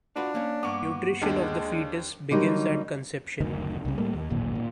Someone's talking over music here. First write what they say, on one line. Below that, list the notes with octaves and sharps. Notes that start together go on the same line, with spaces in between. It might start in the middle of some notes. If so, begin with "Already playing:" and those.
Nutrition of the fetus begins at conception.
D4 F4 F#4 B4
A#3 C#4
G2 A#3 B3 C#6 D6
D#2 G#3 D4
D3 F#3 G3 A#3 D#4
F#1 D2 D#3
C2 C#3
A2 G3 A3 A#3
D#2
D1 G#1 D#2 A#2
A#2